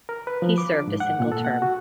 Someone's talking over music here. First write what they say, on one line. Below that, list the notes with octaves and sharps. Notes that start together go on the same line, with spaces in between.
He served a single term.
A#4
B4
F3
D6
D4
G#2
F#5
A#2
A4
F#5
F#4